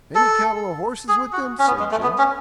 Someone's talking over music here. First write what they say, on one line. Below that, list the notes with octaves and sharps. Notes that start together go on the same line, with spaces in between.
'Any cattle or horses with them?' said Jim.
A4
G#4
F#4
C#4
B3
G#3
A3
B3
C#4